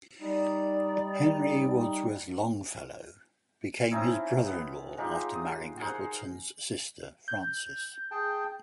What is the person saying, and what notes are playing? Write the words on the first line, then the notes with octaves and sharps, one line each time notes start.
Henry Wadsworth Longfellow became his brother-in-law after marrying Appleton's sister Frances.
G3 D#4 D5
C4 C#4 D#4 E4
B3
G#3 D#4 F4 G4
D#6
G#4 A#4 C5 F#5
G6
G#4 G5 A5